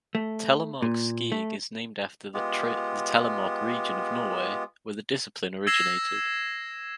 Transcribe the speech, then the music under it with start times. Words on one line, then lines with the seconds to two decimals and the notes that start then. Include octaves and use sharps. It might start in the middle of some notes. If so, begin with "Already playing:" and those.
Telemark skiing is named after the Telemark region of Norway, where the discipline originated.
0.15 A3
0.82 A#2
1.32 A3
2.34 G#3 B3 F4 G4
5.67 E6 G#6 A#6 C7 E7